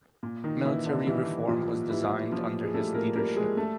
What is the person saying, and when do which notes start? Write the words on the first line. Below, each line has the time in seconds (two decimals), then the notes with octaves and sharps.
Military reform was designed under his leadership.
0.23 A#2
0.44 D#3 D#4
0.65 A#2 E3 E4
0.86 D3 D4
1.06 E3 G3 E4
1.48 A#2 F3 F4
1.90 E3 G3 E4
2.32 A#2 F3 F4
2.64 G#4
2.74 G3 A3 A4
2.94 A#3 A#4
3.15 G3 A#3 A#4
3.36 G#3 G#4
3.57 A3 A4